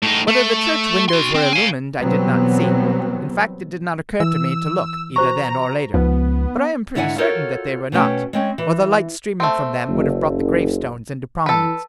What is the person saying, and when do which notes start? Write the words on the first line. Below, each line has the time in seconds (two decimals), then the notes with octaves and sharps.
Whether the church windows were illumined I did not see--in fact, it did not occur to me to look, either then or later--but I am pretty certain that they were not, or the light streaming from them would have brought the gravestones into prominence.
0.02 A2 D#4
0.28 A3
1.09 F#4 C6
1.34 C4
1.53 F5 G#5
1.99 B2 E3 F#3 G3 B3 C4
4.20 E3 E6
5.16 F#4 C5 A#5 C#6
5.94 C#2 F3 B3 D#4 B4
6.95 G#2 D3 E4 D5 F#5 G#5
7.18 F4 F#4 A4 A#4 C5 C#5
7.92 B2 A3 C#4 G5
8.33 G#3 C4 C#4
8.58 E3
9.40 A3 C4
9.89 F#1
11.46 E3 A4 B4